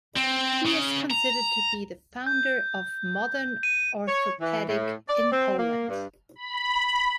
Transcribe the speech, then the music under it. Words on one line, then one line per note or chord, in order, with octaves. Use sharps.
He is considered to be the founder of modern orthopedic in Poland.
C4
C#3
A#5
G6
D#7
C#5
E3
A2
D5
C4
A#3
G2
B5